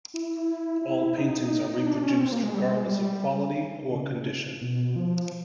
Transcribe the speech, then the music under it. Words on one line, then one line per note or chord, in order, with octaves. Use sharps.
All paintings are reproduced regardless of quality or condition.
E4
E4
D#4
D4
C#4
C4
A#3
G#3
G3
G#3
G3
C#3
B2
F3